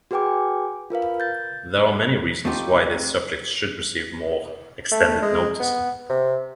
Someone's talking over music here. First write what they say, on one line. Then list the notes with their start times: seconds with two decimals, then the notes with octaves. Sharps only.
There are many reasons why this subject should receive more extended notice.
0.11 F#4 G#4 B4 G5 G#5 D6
0.90 F4 A#4 B4 F5
1.20 G6 A6
2.45 A3 C4 D#4 F4 G4
4.91 A3
5.23 G#3
5.60 B3
6.10 C3